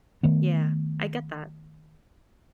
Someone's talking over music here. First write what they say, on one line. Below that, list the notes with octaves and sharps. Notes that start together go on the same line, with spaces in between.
Yeah, I get that.
D#3 A3 B3